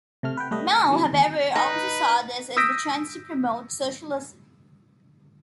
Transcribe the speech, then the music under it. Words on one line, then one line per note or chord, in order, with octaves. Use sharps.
Mao, however, also saw this as the chance to promote socialism.
C3 A3 F6
B4 F#5 G5
G3 A3 B4 D#5
F#5 G#5
C3 D#3 F#3
D#2 C3
D#4 B4
D#6 E6 G6 A#6 B6 D7